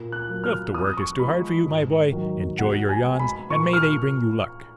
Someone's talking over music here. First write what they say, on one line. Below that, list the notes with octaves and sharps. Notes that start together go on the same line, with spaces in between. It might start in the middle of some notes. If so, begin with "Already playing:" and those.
"If the work is too hard for you, my boy, enjoy your yawns and may they bring you luck!"
Already playing: A#2
F#6
F#3 A#3
F6
F2 D#6
C#6
F3 G#3 B3 B5
G#2
D#3 F#3
B2 F#5
G#5
G#3 B3
B5
A#2 C#6
F6